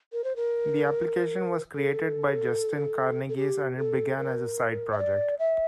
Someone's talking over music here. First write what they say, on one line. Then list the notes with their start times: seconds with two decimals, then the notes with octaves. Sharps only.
The application was created by Justin Karneges and it began as a side project.
0.13 A#4
0.24 C5
0.36 A#4
1.74 A4
3.29 A4
3.37 G4
3.77 A4
4.17 A#4
4.92 E5
4.98 D5
5.39 E5